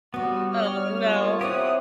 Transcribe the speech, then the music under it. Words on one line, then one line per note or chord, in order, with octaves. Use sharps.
Oh, no.
G3 B3 C#4 D4 F#4
C#5 F6
A#3 F4
C4 D#4 E4 G4 E5 F#5 D#6